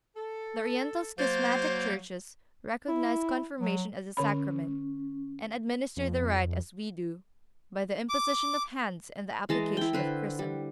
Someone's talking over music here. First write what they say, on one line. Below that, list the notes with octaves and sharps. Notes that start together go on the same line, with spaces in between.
The Oriental schismatic churches recognize Confirmation as a Sacrament, and administer the rite as we do, by the imposition of hands and the application of chrism.
A4
F#3 A#3 C5 G6 A6
E4
F#3
D3 C#4 C#5 B5
F2
D6
E3 G#3 A5 A#5
E4 G5
D3 B4 C5
G3